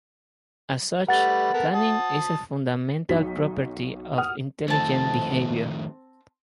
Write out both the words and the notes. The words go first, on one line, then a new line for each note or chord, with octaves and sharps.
As such, planning is a fundamental property of intelligent behavior.
G3 A3 B4 F#5 A6
B3 A4 A#4
A5 D#6
B1 F#3 D#4 B6
F#5 D#6 F6
D#3 F3 A3 C4 A5